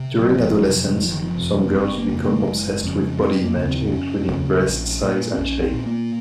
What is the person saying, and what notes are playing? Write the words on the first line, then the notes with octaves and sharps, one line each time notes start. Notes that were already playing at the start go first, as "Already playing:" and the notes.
During adolescence, some girls become obsessed with body image including breast size and shape.
Already playing: C3
F#3
F#1 F3
F2 C3 F#3
F#1 F3
D#3
F3
F2 C3
A#3
F#1 C4
A#3
F2 C#3
A#3
F#3
F#1 G#3
F2 C#3
F1 C4
A#3
D#2 C#3
C4
F1 C#4
D#2 C#3
A#1
A#2
C4
A#1 C#4
C4
A#2
A#3